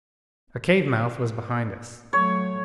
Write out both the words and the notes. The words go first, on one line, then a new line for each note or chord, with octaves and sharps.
A cave mouth was behind us.
F#3 A3 C#5